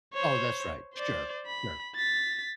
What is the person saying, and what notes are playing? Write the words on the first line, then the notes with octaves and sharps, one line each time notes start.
Oh, that's right, sure, sure.
C5 C#5
C5 D5
B5
A6 B6